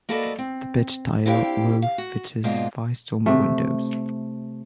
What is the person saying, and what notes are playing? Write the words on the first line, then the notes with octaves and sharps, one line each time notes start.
The pitched tile roof features fice dormer windows.
A#3 F#4 A4 B4 D5 D#5
C4
C4 D4 E4 G4 F5 G5
F5
F#4
G#2 B2 A#3 D4 F4
C3 A3